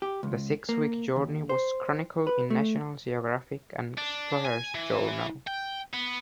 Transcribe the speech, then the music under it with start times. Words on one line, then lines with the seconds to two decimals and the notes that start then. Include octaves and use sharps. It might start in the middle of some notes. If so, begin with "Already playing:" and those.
The six-week journey was chronicled in "National Geographic" and "Explorers Journal".
0.02 G4
0.23 C#2
0.69 A#3
1.16 D#2
1.49 C5
2.27 B4
2.50 A3
3.98 D4
4.45 G#5
4.75 E3
5.47 G5
5.94 B3